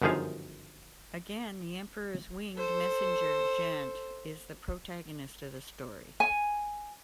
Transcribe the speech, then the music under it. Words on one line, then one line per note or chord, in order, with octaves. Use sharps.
Again the Emperor's winged messenger, Jant, is the protagonist of the story.
G1 F#2 D#3 F3 G#4 F5
A4 C5
G#5